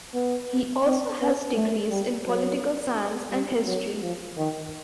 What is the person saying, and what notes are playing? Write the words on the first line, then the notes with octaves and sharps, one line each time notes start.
He also has degrees in political science and history.
B3
C4
B3
A3
G3
F#3
G3
F#3
F3
D#3